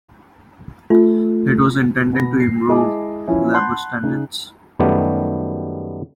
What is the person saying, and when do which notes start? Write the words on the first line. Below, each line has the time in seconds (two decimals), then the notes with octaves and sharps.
It was intended to improve labor standards.
0.90 A3 F4
2.13 B2 B5 A#6
2.40 C7
2.68 G#3 E4 G#4 D#5 A5 D6
3.27 E3 F3 C#4 E4
3.53 F#5 A5 B5 C6 F#6 G6
4.03 C#3 D#4
4.79 F#2 D#3 G3 A3 B3 G4